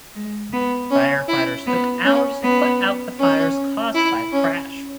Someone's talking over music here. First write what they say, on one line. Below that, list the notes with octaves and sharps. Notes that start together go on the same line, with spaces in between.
Firefighters took hours to put out the fires caused by the crash.
G#3
B3
C#4
E4
B3
C#4
B3
C#4
E4
C#4